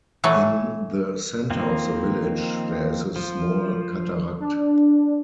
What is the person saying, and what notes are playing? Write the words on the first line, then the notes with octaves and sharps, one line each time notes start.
In the center of the village there is a small cataract.
E3 F#3 A3
D#3 F3 A#3 C4
F3
D4